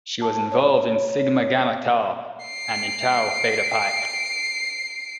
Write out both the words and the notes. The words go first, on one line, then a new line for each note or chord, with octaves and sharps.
She was involved in Sigma Gamma Tau and Tau Beta Pi.
A5
C#5
C7 D7